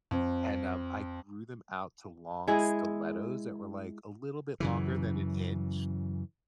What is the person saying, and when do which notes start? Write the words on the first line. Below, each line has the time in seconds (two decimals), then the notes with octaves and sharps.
And, um, I grew them out to long stilettos that were like a little bit longer than an inch.
0.11 F2
2.48 G#3 E4 G#4
4.60 F#2 C#3 E3